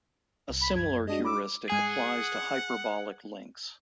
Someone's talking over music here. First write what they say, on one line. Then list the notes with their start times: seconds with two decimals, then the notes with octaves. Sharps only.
A similar heuristic applies to hyperbolic links.
0.49 C2
0.61 B5
0.75 F#2 G#6
1.07 G#3 D4 F#4 D#5
1.25 B5 D6 E6
1.70 G#2 G#4 F#5 G#5